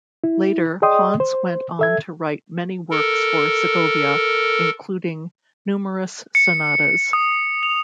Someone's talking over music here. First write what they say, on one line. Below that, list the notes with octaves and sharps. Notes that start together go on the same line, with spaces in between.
Later Ponce went on to write many works for Segovia, including numerous sonatas.
E4
G#4 D5 D#5 G5 C6 D#6
C5
A4 E5 G#6
A4 A#4
C#7
D#6
F7